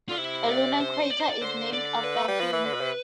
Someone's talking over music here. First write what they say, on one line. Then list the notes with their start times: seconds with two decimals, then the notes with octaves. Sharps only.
A lunar crater is named after him.
0.09 D3 F4
0.18 C3 E4
0.49 D5
0.80 C5
1.10 D5
1.20 C5
1.28 D5
1.41 D3 C5
1.73 D5
2.04 B4
2.16 A3
2.28 G3
2.40 F3
2.53 E3
2.65 D3
2.74 B2
2.80 C3